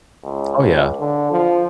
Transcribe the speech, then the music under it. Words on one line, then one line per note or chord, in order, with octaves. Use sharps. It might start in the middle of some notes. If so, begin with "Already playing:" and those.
Oh yeah.
C#2
C#2
D3
F3